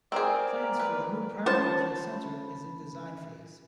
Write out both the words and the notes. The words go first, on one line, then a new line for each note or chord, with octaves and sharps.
Plans for a new primary care centre is in design phase.
C4 G#4 A#4 D5
B4
C#4 F4 C5 C#5 A5 B5